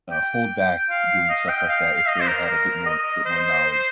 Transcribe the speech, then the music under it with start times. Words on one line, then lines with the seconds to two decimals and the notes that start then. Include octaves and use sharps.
uh, hold back doing stuff like that if they had a bit more bit more knowledge,
0.11 G5
0.90 F5
1.29 D#5
1.48 G5
1.69 F5
1.96 F5
2.08 D#5
2.21 C5
2.27 A#4
2.46 A#4
2.86 D#5
3.25 C5